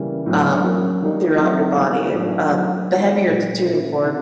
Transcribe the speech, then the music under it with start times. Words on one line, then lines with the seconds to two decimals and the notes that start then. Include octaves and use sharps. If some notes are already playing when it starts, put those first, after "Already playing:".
um, throughout your body, um, the heavier the tuning fork,
Already playing: C#3 E3 G3 A#3
0.26 A2 F#3 B3 D4
0.63 F#3 A#3 C#4
1.01 D#3 G3 A#3 D#4
1.38 F#3 A3 C4 E4
1.77 D#3 G3 B3
2.14 A2 F#3 A#3 D4 F4
2.52 F#3 A#3 D#4
2.90 D#3 G#3 B3 E4
3.27 A#2 F#3 A#3
3.65 A#2 F3 A3 C#4 E4
4.03 C3 D#3